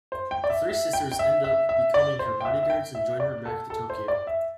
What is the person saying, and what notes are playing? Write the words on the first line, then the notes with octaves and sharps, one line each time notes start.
The three sisters end up becoming her bodyguards and join her back to Tokyo.
C5
G5
D5
E5
E5
G5
G5
E5
E5
E5
D5
C5
G5
E5
E5
G5
E5
D5
A4
A4
C5
D5
E5